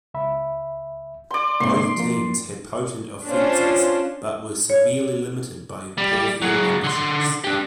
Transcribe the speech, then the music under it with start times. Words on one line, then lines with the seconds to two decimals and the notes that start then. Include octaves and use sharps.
Both teams had potent offenses, but were severely limited by the poor field conditions.
0.14 C#2 E5 B5
1.31 D5 C6
1.60 G#2 C3 A#3 C6
1.97 F3 A#3
3.28 C#4 D4 F4 C5
4.70 C#5
5.98 G3
6.42 F#3 G#4
6.84 D3 C6
7.44 D4 G4